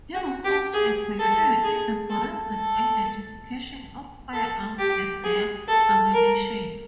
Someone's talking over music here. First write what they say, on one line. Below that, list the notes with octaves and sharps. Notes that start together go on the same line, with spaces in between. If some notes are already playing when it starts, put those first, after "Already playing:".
He was also a pioneer in the forensic identification of firearms and their ammunition.
F#4
G4
G#4
A4
G#4
A4
A4
A4
G4
G#4
A4
A#4